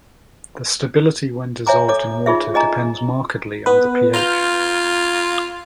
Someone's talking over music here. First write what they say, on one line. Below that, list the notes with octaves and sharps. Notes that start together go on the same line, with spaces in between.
The stability when dissolved in water depends markedly on pH.
C#5 E5 G#5 A#5 D6
A4 C#5 D6
D#4 F4 G#4 E5
G#4 D#5 G#5 A#5
B3 B4
F4 A#5 F6 G6